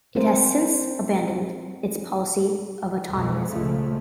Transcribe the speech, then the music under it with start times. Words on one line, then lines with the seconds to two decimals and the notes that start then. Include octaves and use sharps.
It has since abandoned its policy of autonomism.
0.15 C4 A#4 C5
3.07 B1 F2 G#3
3.47 C#2 A#2 F3 G#3 A3